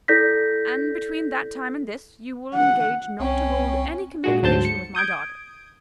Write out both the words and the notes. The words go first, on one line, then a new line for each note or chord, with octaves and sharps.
"And between that time and this, you will engage not to hold any communication with my daughter?"
E4 A4 D5 G6 A#6 B6
F#5
C2 C4 C#4 G5
A#2 G#3 F#4
D2 G#2 F#3 C5 A5 G6
C#7
D#6 G6 G#6 D7